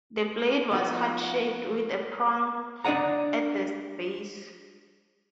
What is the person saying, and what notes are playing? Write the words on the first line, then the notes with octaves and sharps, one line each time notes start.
The blade was heart-shaped with a prong at the base.
F3 B3 D#4 F#4
D4 D5 D#5 F#5 A#5